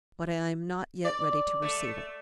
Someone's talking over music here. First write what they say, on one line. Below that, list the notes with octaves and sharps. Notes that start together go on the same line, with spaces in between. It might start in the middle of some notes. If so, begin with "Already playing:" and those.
"But I am not yet ready to receive it."
D5
A3